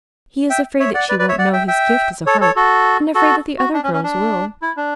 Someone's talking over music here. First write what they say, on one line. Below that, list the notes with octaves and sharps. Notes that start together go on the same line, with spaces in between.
He is afraid that she won't know his gift is a harp, and afraid that the other girls will.
E5 G5
C#5 E5
D5 F#5
B4 D5
B4 D5
C#5 E5
D5 F#5
E5 G5
E5 G5
A4 C#5
A4 C#5
F#4 A4
F#4 A4
F#4
D4
C#4
C#4
D4
E4
D4